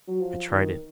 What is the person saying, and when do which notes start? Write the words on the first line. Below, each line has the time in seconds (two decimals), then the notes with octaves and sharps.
I tried it.
0.08 F#3
0.21 F3
0.50 D#3